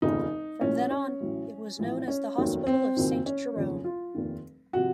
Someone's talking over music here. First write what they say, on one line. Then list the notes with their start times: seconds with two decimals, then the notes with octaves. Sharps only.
From then on it was known as the Hospital of Saint Jerome.
0.02 F1 D#2 C#3 F3 D#4
0.61 C2 A#2 F3 C#4
0.91 C#4
1.21 A1 A2 F#3
1.79 A1 A2 F3
2.08 C#4
2.38 F1 D#2 D#3 F#3
2.67 C4
2.97 F#1 F2 D#3 F#3
3.26 C#4
3.56 F1 D#2 C#3 F3
3.84 F4
4.15 F1 D#2 D#3
4.73 C3 F3 F#4